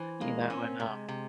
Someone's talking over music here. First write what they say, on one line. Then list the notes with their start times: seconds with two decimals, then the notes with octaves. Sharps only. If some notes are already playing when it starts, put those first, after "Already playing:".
you know, and, uh
Already playing: E3 C5
0.21 G#3 A#3
0.50 C4 C#4
0.79 C3 G#3
1.08 C3